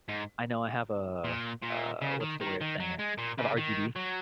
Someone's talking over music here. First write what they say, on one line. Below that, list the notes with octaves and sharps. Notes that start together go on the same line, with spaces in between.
I know I have a, uh uh, what's the way of saying it? I have RGB,
G#2
A#2
A#2
C#3
D#3
D#3
D#3
F#3
G#3
A#2
C#3
D#3
F#3